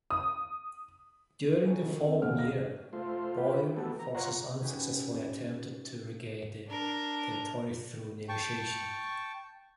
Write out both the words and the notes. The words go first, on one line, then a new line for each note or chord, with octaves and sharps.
During the following year, Boer forces unsuccessfully attempted to regain the territory through negotiation.
D#6
E3 F#3 A4
D#3
C4
D#2 A#2 A3 C5 F#5 F6
D#5 F5 F6 A#6
A3 F4 C5
F4 G4 B4
E3 A3 B3 F#4 G4 A4
A#5
F4 C5 C#5 F#5 A#5
C#4 D#4 F#4 G4 B4
D4 A#4
G5 A5 C#6